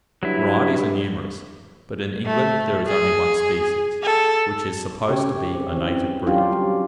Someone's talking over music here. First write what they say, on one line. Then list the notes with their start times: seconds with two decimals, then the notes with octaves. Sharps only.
Its varieties are numerous; but in England there is only one species, which is supposed to be a native breed.
0.23 G2 F#3 E4
2.25 A3
2.87 G#4
4.03 A4
5.09 C#3 G4 C#5
5.31 C#3 C#4
5.55 C4
5.73 E3 C4
6.27 F#3 C#4 D4 F4 G4
6.52 G3